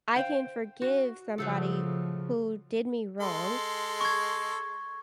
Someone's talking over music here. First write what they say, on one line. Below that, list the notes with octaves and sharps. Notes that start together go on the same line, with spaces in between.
I can forgive somebody who did me wrong
C5 F5 G5
F#4
C#3 F3 F#3 A3 A4
G#3 A4 C6
C#6 G#6